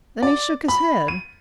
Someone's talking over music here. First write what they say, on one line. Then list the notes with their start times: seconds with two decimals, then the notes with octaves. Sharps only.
Then he shook his head.
0.23 D5
0.68 B5
1.08 D#7